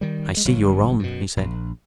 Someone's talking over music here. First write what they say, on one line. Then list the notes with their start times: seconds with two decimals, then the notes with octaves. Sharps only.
"I see you're on," he said.
0.01 D#3 G3
0.33 G2 G#3
0.45 G1 F#3
0.99 F#2 B2
1.37 A#1